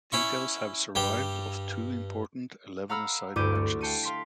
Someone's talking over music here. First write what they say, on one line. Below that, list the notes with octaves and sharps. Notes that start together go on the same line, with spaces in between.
Details have survived of two important eleven-a-side matches.
C#4 E4 C#6
G2 G3 G5
F5 F#5 A#5 B5 E6 F6
D2 G2 E4 D6 G6 D#7
A3
F5 G5 A5 G6 C#7 D#7
F5 C6 B6